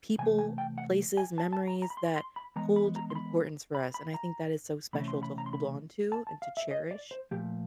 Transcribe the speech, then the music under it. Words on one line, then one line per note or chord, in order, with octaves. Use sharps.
people, places, memories that hold importance for us, and I think that is so special to hold onto and to cherish.
C3 E3 A3 G#5
G#5
G5
F#5
G#5
A5
A5
A#5
A#5
B5
C6
C6
B5
E3 G#3 B3 A#5
B5
A#5
C6
B5
B5
B5
A#5
C3 E3 A3 C#4 B5
C6
B5
A#5
C6
B5
A5
A5
F5
E5
D#5
D5
C5
A#2 F3 A3 G4